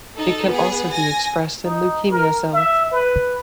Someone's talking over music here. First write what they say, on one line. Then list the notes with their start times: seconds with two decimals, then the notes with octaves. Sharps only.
It can also be expressed in leukemia cells.
0.15 D#4 A4
0.47 B3 G#4
0.90 G#5 A#6
1.64 D#4
2.11 A#4
2.53 E5
2.92 B4